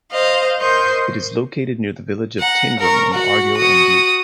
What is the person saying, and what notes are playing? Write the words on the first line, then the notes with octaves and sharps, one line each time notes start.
It is located near the village of Tyndrum in Argyll and Bute.
C5 D#5 F5
A#4 C5 D#5 C6 C#6 G6
F#5 A#5
A#4 C#6
F#4 F#5
F#4 D#6